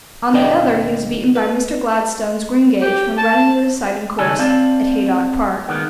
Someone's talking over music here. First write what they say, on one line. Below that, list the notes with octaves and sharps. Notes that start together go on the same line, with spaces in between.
On the other he was beaten by Mr. Gladstone's Greengage, when running the deciding course at Haydock Park.
D2 A#2 D4 B4 D#5 G5
B4
G4
A5
C#2 D#3 G#3 A4 G#5
C4 D5 F5 A5
D#3 G#3 A#3 B3